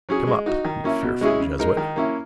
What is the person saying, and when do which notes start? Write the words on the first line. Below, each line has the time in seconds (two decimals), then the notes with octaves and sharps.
Come up, you fearful jesuit!
0.09 F#3 C#4 G#4
0.27 G#3
0.46 D#4 F#4
0.65 D#3
0.84 A#3 C#4 E4
1.02 B2
1.21 G#3 C#4 E4 G#4
1.40 C#3
1.59 G#3 D#4 A#4
1.77 D#3
1.96 A#3 C#4 E4